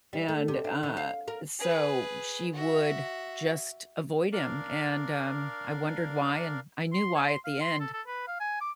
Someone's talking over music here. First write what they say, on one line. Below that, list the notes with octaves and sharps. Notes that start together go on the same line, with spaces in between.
and, uh, so she would just avoid him, and, um, I wondered why, and I knew why at the end,
G3
A3
C3
D4
D#3
F5
A#4
G#4 B4
F#4 E5
D4 A#4 D5 F5
C6
C#5
C6
F5
C6
A4
A4
B4
F5
G#5
D6